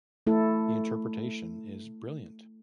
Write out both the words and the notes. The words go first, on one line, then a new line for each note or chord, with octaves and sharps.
The interpretation is brilliant.
A3 E4 A4